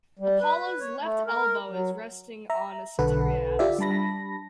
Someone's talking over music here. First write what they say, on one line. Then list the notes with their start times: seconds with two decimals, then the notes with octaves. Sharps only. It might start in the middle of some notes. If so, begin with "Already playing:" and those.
Apollo's left elbow is resting on a cithara at his side.
0.19 G3
0.41 B4
0.80 C#5
1.01 A3
1.26 A#4
1.70 F#3
2.50 E5 A#5
2.98 B1 D3 A4 B4 F#5
3.59 F4 G4 D5 E5
3.79 G3 D4 A5 B5 A#6